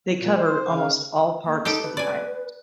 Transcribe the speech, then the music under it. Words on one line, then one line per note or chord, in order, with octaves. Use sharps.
They covered almost all parts of the island.
A#2
C5
C#3 F5
A#3
D#4 G4 A4 G5
B4
D5 G#5